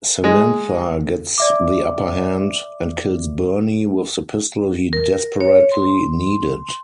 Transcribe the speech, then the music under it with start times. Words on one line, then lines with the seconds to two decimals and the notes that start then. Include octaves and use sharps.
Samantha gets the upper hand and kills Bernie with the pistol he desperately needed.
0.24 G#3
1.38 D5 E5 D6
4.93 A#4
5.41 C#5
5.72 C6